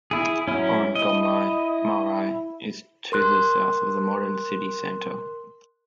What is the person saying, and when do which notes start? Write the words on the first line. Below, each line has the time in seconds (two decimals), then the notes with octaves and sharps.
Orongomai Marae is to the south of the modern city centre.
0.11 E4 G#4
0.48 F#3 C#4 E4
0.95 E4 D#5
3.12 A#4 C6 F#6